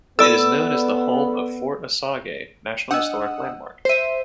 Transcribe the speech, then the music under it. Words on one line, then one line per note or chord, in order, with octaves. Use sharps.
It is known as the home of Fort Osage National Historic Landmark.
B3 A4 D5 B5 E6
D4 D#5 F#5 D#6 E6
C5 E5 C7 D#7